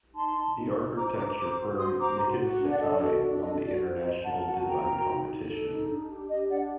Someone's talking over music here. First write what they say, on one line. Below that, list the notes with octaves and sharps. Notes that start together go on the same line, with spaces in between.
The architecture firm Nikken Sekkei won the international design competition.
D#4 A5 C6
D#4
D#4
D#4
C5 A#5 D6
C5 A#5 D6
C5 A#5 D6
F#4
C5 C6 D#6
C5 A#5 D6
F#4
F#4
D4
D5 F#5
A4 D#5
D5
F#4 D#5
D4
A4 D#5
F#4 D5
C5
C5 D#5
A#4 F#5 A5
F#4 F#5 A5
A#4 G5 A#5
F#4
D#4
D#4
A4
D#4
D4
G4
G4 D#5
D4 D5 F#5